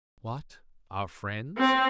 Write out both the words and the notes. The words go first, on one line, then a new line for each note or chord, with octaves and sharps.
"What! our friends?"
C4